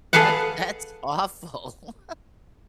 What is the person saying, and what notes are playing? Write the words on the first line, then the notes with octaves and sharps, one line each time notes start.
That's that's awful.
G#4 A4 B4 F5 F#5